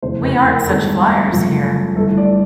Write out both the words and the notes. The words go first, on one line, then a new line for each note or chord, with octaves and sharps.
We aren't such flyers here.
F1 E2 C#3 E3 A3 C5
B4
A#4
G1 G2 D#3 G#3 B3 A4
G1 F#2 C#3 F3 A3
G1 G2 E3 A3 A4
D5